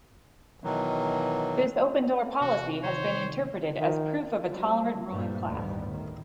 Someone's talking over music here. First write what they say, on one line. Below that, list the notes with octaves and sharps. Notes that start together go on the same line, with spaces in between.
This open-door policy has been interpreted as proof of a tolerant ruling class.
B2 D#3 E3 F#3
C3 E3 F#4
C3 D#3 D#4 C5 C#5
D#3
F#3 G3 C4
G2 A#2 F3 G3 A3
A1 D2 G2 D#3 G3 B3
A2 D#3